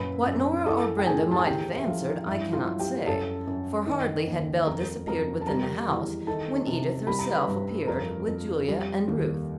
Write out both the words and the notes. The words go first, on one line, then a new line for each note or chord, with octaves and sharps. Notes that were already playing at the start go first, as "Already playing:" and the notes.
What Nora or Brenda might have answered, I cannot say, for hardly had Belle disappeared within the house, when Edith herself appeared, with Julia and Ruth.
Already playing: F#2 A#2 B4 B5
F#2
E3 A4 A5
G5
A2 G#4 G#5
A5
G#5
E2 G4 G5
E5
F3 F4 F5
G2 E4 E5
F4 F5
F#3
G4 G5
F#2 A4 A5
F#2
D#3
D#2
F2 A#4 A#5
F2 A#4 A#5
A5
G3 A#4 A#5
E2
D#3 A4 A5
C3
G3 B5
A#5
B4 B5
G2
F2 A#4 A#5
F2
G3
D#2